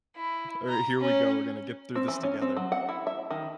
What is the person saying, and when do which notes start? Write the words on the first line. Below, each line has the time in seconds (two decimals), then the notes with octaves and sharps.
All right, here we go, we're gonna get through this together.
0.16 E4
0.69 A#5
1.00 C#4
1.95 C4
2.08 E3
2.23 C#4
2.41 C4
2.57 F#3
2.72 F#5
2.89 E4
3.07 E5
3.31 D#3